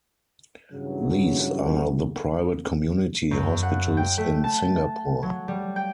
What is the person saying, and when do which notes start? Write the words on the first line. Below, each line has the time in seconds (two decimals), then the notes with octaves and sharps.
These are the private community hospitals in Singapore.
0.73 G2 C#3 E3 F#3
3.31 F#2
3.63 F#5
3.97 G5
4.18 A3
4.44 A5
5.23 F#3
5.48 G3
5.76 G5